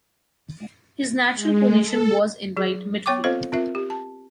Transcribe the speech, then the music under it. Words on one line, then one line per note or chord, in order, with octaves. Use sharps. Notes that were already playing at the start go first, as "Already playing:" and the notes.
His natural position was in right midfield.
G#3
A4
F#3 G#4
B3 C#5 G5 C#6 D6
C4 F4 A4 C5 D#5 F5
C4 F4 A#4 E5
G4
A5